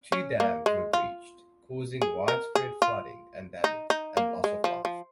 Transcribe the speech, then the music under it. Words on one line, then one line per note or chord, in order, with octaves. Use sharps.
Two dams were breached, causing widespread flooding and damage, and loss of life.
C#4
A#3
G#3
F4
G#4
A#4
G#4
F4
D#4
D#4
A#3
G#3
F3
F3